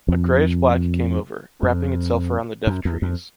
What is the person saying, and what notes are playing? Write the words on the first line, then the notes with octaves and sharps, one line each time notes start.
A greyish black came over, wrapping itself around the deaf trees.
F2
F2
F#2
E2
F2